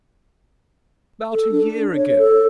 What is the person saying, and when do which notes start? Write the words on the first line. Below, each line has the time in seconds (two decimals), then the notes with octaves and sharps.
"About a year ago."
1.33 A4
1.52 D4
1.95 C#5
2.18 A4